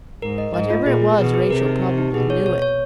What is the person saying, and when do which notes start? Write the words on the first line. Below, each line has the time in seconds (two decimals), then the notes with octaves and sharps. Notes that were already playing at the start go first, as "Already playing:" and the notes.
Whatever it was Rachel probably knew it.
0.22 G#2 A#4
0.38 D#5
0.54 G#2 D#5
0.70 F4
0.86 A#2 G#4
1.02 G#4
1.18 B2 B4
1.34 G#4
1.50 C3 A#4
1.66 D#4
1.82 G4
1.98 D#4
2.14 B2 G#4
2.30 C#5
2.46 C#5
2.62 C#5